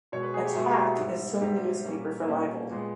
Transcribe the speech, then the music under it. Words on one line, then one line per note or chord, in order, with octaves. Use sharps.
Attack is suing the newspaper for libel.
B2 G#3 B3 C#5
B4
G#4
G4
B2 G#3 B3 E4
G4
E4
G#2 G3 B3
G#2 G3 B3 G4
A#2 G3 A#3 C#4
A#2 G3 A#3 C#4
A#2 G#3 B3